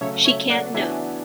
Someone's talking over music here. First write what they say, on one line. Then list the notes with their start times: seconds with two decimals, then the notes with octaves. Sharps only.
She can't know.
0.01 C#3 F#3 A3 C#5 E5
0.25 C#5 E5
0.49 D5 F#5
0.74 E3 B3 D4 F#4 E5 G#5